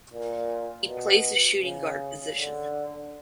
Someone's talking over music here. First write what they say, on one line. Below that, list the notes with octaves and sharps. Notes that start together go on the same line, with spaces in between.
He plays the shooting guard position.
A#2
B2
C#3
D3